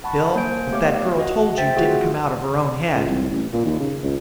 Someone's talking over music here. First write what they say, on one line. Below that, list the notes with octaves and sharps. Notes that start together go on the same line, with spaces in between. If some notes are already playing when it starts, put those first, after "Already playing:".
Bill, what that girl told you didn't come out of her own head.
F#5 A5 B5 C#6
A#3 C5 G#5 G6 D7
A3 B3 G4 C#5 F5 D6
F#4 D#5 F#5
C5 E5 G5 A6 B6
A3 F4 F#4 G#4 F#5
C#2
C2
A1
A#2
D#2
C#3
C#2